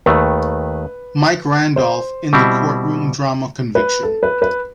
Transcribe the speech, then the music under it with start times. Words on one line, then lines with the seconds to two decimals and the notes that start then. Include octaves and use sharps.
Mike Randolf in the courtroom drama "Conviction".
0.06 D#2 D#3 A3 B4
1.76 C5
2.33 B2 G3 C4 E4
3.75 B4
4.03 A4
4.23 B4
4.42 B4